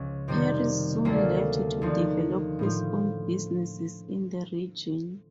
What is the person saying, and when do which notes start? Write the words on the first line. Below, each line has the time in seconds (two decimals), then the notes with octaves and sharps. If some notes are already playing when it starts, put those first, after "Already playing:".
Harris soon left to develop his own businesses in the region.
Already playing: C#2 C#3 F3 C#4
0.28 F2 C3 D#3 G3 C4
1.05 D2 D3 F#3 A#3
1.82 D#2 D3 F3
2.59 A2 F3